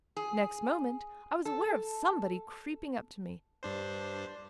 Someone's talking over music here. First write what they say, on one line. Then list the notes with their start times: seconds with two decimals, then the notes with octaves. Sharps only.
Next moment, I was aware of somebody creeping up to me.
0.16 G#4
1.45 A4
3.63 G2 D4 C5